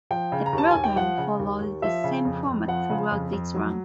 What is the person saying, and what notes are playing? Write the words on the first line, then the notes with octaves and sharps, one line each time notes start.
The programme follows the same format throughout its run.
F3 G5
C#3
A#5
D#2
A5
D#2 G#5
G5
F3 F#5
C#3
D#2
D#2
F3 E5
C#3
F2
F2
F3 F#5
C#3
F2
F2
F#3